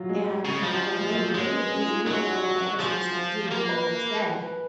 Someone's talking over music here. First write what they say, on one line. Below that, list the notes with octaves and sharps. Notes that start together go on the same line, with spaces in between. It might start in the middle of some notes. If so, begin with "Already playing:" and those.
And, you know, I don't like it because you don't know what that person was gonna do to you the next day.
Already playing: F#3 F4
G#3
C#3
F3
G#3
F#3
G#3
G#3 A#3
C#4
B3
C#4
F4
D#4
F#3 G#4
F#4
F#4
F3 G#4
A#3 A#4
B4